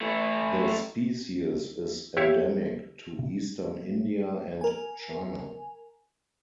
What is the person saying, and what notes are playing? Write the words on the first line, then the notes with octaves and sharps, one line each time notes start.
The species is endemic to eastern India and China.
E3 A3
E4 G4 C#5 E5 F5
A#4 G#5